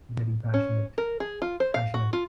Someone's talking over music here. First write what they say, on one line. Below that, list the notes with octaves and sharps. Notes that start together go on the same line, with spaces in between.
Very passionate. Passionate.
C#4
A#4
G#4
F4
C5
F5
F#4
F4